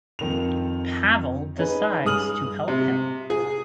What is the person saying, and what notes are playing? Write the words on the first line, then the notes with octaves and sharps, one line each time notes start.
Pavel decides to help him.
F2 D#3 F7
C#4 D#4 G#4 B4
G2 G#4 D#6 F6 F#7
C3
G#4